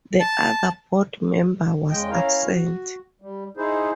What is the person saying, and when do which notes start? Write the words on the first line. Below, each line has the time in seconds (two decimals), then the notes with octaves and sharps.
The other board member was absent.
0.20 A5
1.90 E2 C#3 G#3 D#5 G5
2.10 C#4 E4 A#4 C#5 F5 A#5
2.44 F#4
3.22 G3
3.57 D#4 E4 G#4 C5